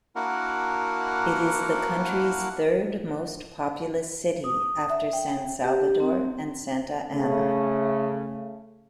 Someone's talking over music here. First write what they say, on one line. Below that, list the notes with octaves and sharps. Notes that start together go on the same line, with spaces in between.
It is the country's third most populous city after San Salvador and Santa Ana.
A#3 D4 E4 F#4 A#4 F#5
D#6
E5
G5
G4
C4
C#3 A3